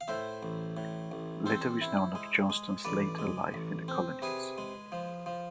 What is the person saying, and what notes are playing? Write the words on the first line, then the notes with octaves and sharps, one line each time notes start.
Little is known of Johnston's later life in the colonies.
F5
A2 C5 E5
A1
A2
A1
C4 A4 C5
E4
G#3
G#3
A1 B4 D5
G#3
A1
C4
C3 G#4 B4
G#3
F3
F3